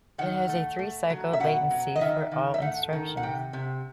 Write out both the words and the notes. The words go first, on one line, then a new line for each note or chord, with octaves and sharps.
It has a three-cycle latency for all instructions.
D#3 F#5
A3
A3
F#3
E5
B2 F#5
F#3
D#5
D#3 E5
D#3
E5
A3 F#5
D#3
F#5
C3 G5
C3